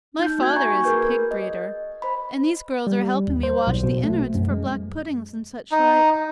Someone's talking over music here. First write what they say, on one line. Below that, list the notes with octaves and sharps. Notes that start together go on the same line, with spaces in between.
"My father is a pig-breeder, and these girls are helping me wash the innerds for black-puddings and such like."
D#4 G6
A#3 F#4 G#6
G#5 A#5 C#6
G#4 A#4 B4 G6
D#5
C5 B5
G3
D#2
C5
B1
B2
A3
F#2
G#3
D#4